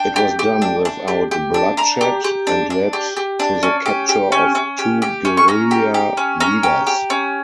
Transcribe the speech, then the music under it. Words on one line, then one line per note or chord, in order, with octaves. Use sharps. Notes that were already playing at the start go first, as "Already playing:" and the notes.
It was done without bloodshed and led to the capture of two guerrilla leaders.
Already playing: D4 G5
G4
G4
D4
D4
G4
G4
D4
D4 A#5
G4
G4
D4
D4
G4
G4
D4
C#4
G4
G4
C#4
C#4
G4
G4
C#4
C#6
C#4 A#5
G4
G4
C#4
C#4 A#5
G4
G4
C#4